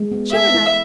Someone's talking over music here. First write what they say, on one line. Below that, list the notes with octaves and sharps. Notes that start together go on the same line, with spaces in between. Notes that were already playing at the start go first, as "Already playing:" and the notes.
Sure enough.
Already playing: G#3
B3
A4 E5
E4